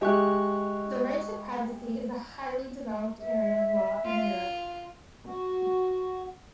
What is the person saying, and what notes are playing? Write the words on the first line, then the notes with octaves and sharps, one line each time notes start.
The right to privacy is a highly developed area of law in Europe.
G#3 G4 D#5 E5 C#6 F#6
E5
F4
F#4